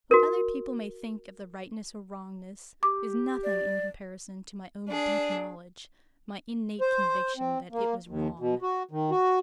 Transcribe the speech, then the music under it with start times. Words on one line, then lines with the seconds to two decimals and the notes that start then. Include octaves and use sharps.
'What other people may think of the rightness or wrongness is nothing in comparison to my own deep knowledge, my innate conviction that it was wrong.
0.11 F#4 A#4
2.83 G4 D6
3.44 D5
4.89 D4 G#4 D5
6.81 C5
7.37 C4
7.72 A#3
8.08 D#2
8.39 B2
8.62 F#4
8.91 D#3
9.11 F#4